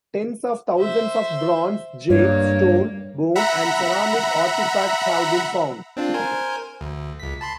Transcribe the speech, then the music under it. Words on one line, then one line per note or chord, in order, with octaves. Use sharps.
Tens of thousands of bronze, jade, stone, bone, and ceramic artifacts have been found.
C5 E5
G2 A#3 C#5
E5 F#5 A#5 B5
C4 D4 F4
A#4 C5 G#5
D2
C#2 B6
A5 B5 C6